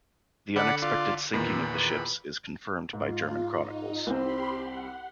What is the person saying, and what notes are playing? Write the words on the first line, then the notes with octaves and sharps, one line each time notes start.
The unexpected sinking of the ships is confirmed by German chronicles.
D3 D5 F#5 B5
F4 D5
E2 A#2 D#3 B4
G#2 F4
D#4
C2 C4 G4 B5 C6
F#5